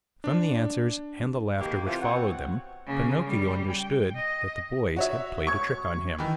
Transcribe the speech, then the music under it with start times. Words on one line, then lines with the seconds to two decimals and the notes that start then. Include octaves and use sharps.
From the answers and the laughter which followed them, Pinocchio understood that the boys had played a trick on him.
0.24 D4
1.59 B2 D#3 A#3 G4
1.86 C3 E3 F3
2.01 B2 C4 C#5 F#5
2.87 C#3 A#3
3.23 G3
3.72 G5
4.16 D#5
4.97 F#4 C#5 E5
5.47 C#6 G#6
6.18 D#3 E3